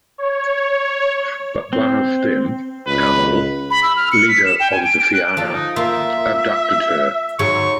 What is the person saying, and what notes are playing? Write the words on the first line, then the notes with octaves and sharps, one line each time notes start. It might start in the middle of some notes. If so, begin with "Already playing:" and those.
But one of them, Cumhal, leader of the fianna, abducted her.
C#5
C4
C#2 B4
B5
E6
F6
C#7
B6
E7
G5
G#5
D7
D7
F#6
F3 A4
D#4
A#3 F4 E5 C6
G#2 F#3 G#3 C#6